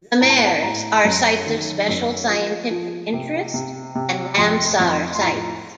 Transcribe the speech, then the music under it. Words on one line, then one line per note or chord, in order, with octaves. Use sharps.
The meres are Sites of Special Scientific Interest and Ramsar sites.
A2 A#5
A5
F#5
A5
A2 A#5
C6
F#2 A#5
D#3
F#2
F3
F3
C3
C3
C3
F2 C6
C6
F2
C6
C6
A2 A#5